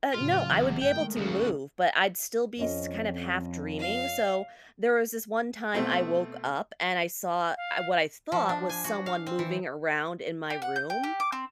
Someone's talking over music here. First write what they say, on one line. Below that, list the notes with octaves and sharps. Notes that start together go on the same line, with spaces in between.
Uh, no I would be able to move, but I'd still be s kind of half dreaming, so there was this one time I woke up, and I saw ah, what I thought was someone moving around in my room,
A2 C#3 F#3 F4
G1 E2
D#3 G#3 A3 G5
D2 C#3
F2 C#4 D#5
F5
B2 A3 C4
F5
F3
D4
G#5
F#4
F5
C4
E3
G4
F#5
G6
G5
G4
D6
C4